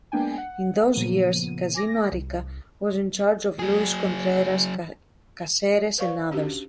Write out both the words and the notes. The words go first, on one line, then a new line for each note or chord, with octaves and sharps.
In those years, Casino Arica was in charge of Luis Contreras Cáceres and others.
G#3 A#3 B3 D4 G5 G#5
F#5
A#2 C#3 F3 A#3 B3 D#7
G#5 D6 A#6
C2
F#3 G#4
B4 C5 D5 F5 C#6
C#4 D4 F#4 G4